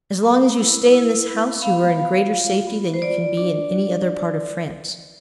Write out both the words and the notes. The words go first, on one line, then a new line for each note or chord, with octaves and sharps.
As long as you stay in this house you are in greater safety than you can be in any other part of France.
B3
E4
E4
B3
B3 F5
F4
F4
B3
C5
F4 D5
D4